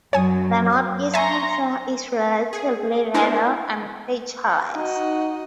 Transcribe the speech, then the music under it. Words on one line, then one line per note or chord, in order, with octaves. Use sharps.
The northeastern floor is relatively level and featureless.
F#2 F#3 C#5 G#5 D#6
E5 G#5 A#5 C6 C#6
G#4
B3 D4 E4 A#4 C5
D#4 F#4 D#5